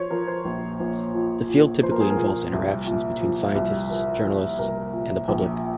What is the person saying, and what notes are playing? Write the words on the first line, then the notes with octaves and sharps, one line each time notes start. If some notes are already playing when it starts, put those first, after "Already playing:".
The field typically involves interactions between scientists, journalists, and the public.
Already playing: F3 C5 C#5
F3 A#4
C5
A#1
A#1
F3
A#2
F3 C5
A#4
G#4
A#4
A#2
C2
A#2
F3
C2
F3 A#4
F3
C2 A#4
A#2
A#1